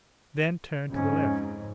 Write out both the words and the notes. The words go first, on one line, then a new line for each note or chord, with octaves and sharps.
Then turn to the left.
F2 G#2 C#3 C#4